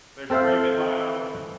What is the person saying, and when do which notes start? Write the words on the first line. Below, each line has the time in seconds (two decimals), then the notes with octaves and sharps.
They're screaming loud.
0.30 C4 A4 C5 E5 F5